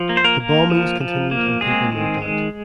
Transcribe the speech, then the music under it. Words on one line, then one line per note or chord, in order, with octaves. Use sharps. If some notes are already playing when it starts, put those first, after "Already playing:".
The bombings continued and people moved out.
Already playing: F3
A#3
C5
A#3 A#4
A#3
F3
F3
A#3
G#3 C4 G#4
D#3
G#3